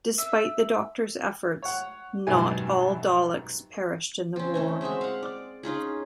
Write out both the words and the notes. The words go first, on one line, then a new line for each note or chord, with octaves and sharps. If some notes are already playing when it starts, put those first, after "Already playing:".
Despite the Doctor's efforts, not all Daleks perished in the war.
E5
C#5 F#5
G#1 F#2 B2 F#3 G3 G#5
C4 C#4
E3 A3 G#5
G#3 C4 F#4 E5
F5 F#5
D5
C#4 D#4 F4 G#4